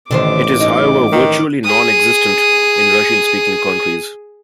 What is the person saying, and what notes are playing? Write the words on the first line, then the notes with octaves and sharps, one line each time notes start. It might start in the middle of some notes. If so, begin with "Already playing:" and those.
It is however virtually non-existent in Russian-speaking countries.
A1 D3 D#3 C5 D6
D#4
D#3
G#4 D#6